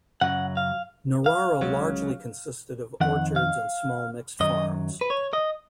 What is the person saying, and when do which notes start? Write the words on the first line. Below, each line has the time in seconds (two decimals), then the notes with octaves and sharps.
Narara largely consisted of orchards and small mixed farms.
0.21 F#2 C#3 F#3 F#5
0.57 F5
1.26 F5
1.61 C#2 C#3 F#3
3.01 F2 D#3 F#5
3.36 F5
4.40 F#2 D#3 F#3 D#5
5.01 B4
5.10 C#5
5.33 D#5